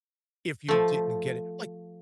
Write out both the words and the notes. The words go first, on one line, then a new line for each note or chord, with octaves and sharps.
if you didn't get it, like,
F3 A3